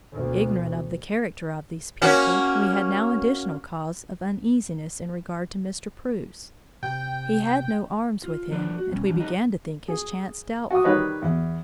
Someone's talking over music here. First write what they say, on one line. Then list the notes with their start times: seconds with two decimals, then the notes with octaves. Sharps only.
Ignorant of the character of these people, we had now additional cause of uneasiness in regard to Mr. Preuss; he had no arms with him, and we began to think his chance doubtful.
0.13 D2 B2
2.02 A#3 C#4 F#4
6.83 C3 G5
8.23 F4
8.51 F3 D4 A4 B4 D5
8.78 F#4
8.91 B2 G3 C#4
9.07 E3 F#3 G3 D4
9.20 D#4 G4 A4 B4 D#5
9.88 G#4
10.71 F#4 D#6
10.84 D#3 G3 B4 C#5 D#5
11.22 E2